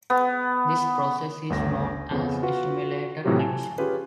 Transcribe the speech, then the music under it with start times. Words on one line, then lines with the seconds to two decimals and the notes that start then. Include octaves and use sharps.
This process is known as "stimulated emission".
0.10 B3
1.50 G1 D2 A#6
2.11 F2 C#3 B3
2.42 F4 F#4 B4 F#5
3.24 A2 C3 E3 F#3 F4 G4
3.39 G#5 A5
3.78 C#4 F4 G4 G#4 B4